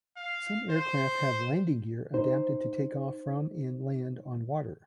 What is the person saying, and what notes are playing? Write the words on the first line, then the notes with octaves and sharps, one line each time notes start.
Some aircraft have landing gear adapted to take off from and land on water.
F5
C5
D#4 C5